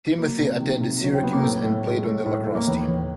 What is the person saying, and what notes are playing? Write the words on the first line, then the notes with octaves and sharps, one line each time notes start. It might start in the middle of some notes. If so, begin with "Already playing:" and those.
Timothy attended Syracuse and played on the lacrosse team.
F#3 A#3
C3
D#3
C3
F#3 C#4
C4
F#3 B3
A#3
A2 A3
A2
G#3
A2
A2
A2 A3
A#3
D#2 B3
D#2